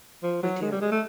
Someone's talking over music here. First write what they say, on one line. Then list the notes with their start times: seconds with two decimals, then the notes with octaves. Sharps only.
we do,
0.23 F3
0.43 F#3
0.62 G#3
0.72 G3
0.82 G#3
0.92 A3